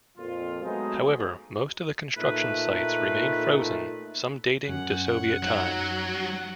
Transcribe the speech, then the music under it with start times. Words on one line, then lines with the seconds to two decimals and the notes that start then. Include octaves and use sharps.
However, most of the construction sites remain frozen, some dating to Soviet times.
0.17 F2 A#2 F4
0.62 F#3 G#3 A3 B3 D#4 G#4
2.17 A#2 A3 D#4 B4
4.68 F#2 C#4 F#5
5.43 F#3 D#4